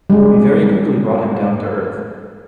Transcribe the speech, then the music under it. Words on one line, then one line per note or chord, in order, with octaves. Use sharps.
We very quickly brought him down to earth.
G3 G#3